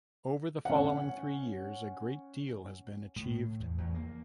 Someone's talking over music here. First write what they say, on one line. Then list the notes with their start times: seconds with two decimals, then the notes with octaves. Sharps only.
Over the following three years a great deal has been achieved.
0.65 C#4 F#5
3.16 A2
3.60 E2
3.78 E2
3.94 A#3